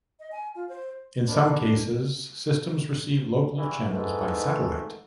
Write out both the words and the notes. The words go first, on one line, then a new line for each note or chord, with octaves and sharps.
In some cases systems receive local channels by satellite.
D#5
G#5
F4
C5
B3 D4 A#4 D#5
E2 G2 E3
G#2 D#3 A3 D#4 E4 B4